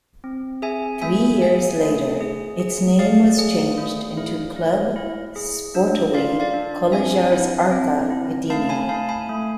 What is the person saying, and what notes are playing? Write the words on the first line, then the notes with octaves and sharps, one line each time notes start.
Three years later, its name was changed into "Klub Sportowy Kolejarz-Arka Gdynia".
C4
G#4 E5 G#5
A3 E5 G#5
G#4 E5 G#5
A3
G#4
G#4
G#4 D5 F5
G#4
A3
E4
E4
E4
G#4
D4
F4 D5 F5
D5 F5
D4
C4 E5 G#5
E4
C4
E4
A3 F5 A5
G#5 B5
A3 F5 A5
G#5 B5
A3